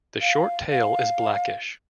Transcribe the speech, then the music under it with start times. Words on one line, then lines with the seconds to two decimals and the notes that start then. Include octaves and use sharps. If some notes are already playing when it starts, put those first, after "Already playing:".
The short tail is blackish.
0.22 F5
0.71 F5